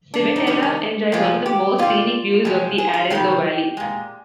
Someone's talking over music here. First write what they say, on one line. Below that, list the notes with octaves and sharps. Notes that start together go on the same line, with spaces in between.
Civitella enjoys one of the most scenic views of the Arezzo valley.
D4
D#4
C3 D#3 G3 D4
D#4
C3 F3 G#3 F4
G4
C3 G3 F4
C3 F3 G#3
G#4
F4
C3 D#3 G3 G4
A#2 G#3